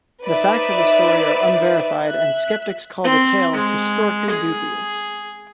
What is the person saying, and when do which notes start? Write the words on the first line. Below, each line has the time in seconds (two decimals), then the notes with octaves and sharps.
The facts of the story are unverified, and skeptics call the tale "historically dubious".
0.25 D#4 B4 C5 D5 E5
2.05 E5 F#6
3.04 C4
3.53 G#3
4.30 G#4